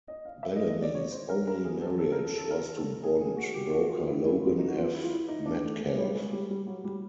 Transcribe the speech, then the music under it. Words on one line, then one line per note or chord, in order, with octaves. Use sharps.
Bellamy's only marriage was to bond broker Logan F. Metcalf.
D#5
F5
E5
D#5
D#5
D5
C#5
C5
A#4
A#4
G#4
A4
A4
A#4
A4
A4
A#4
A4
G#4
G#4
F#4
G4
F#4
F4
E4
E4
F4
D#4
F#4
F4
E4
F4
E4
D#4
D4
A3
G#3
G3
G#3
G3
G3
F#3
G3